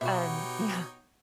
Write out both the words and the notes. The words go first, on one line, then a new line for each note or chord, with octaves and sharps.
Um, yeah.
B2 D#4 F#4 G4 B4 C#5 E5 G5